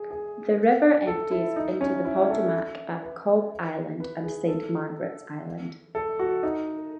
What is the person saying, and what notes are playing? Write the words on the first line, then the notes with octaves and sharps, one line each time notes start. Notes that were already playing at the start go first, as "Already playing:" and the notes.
The river empties into the Potomac at Cobb Island and Saint Margaret's Island.
Already playing: G#4
G#4
A4
E4
D#4
C#4
E4
A4
B4
B4
G#4
A4
A4
F#4
D#4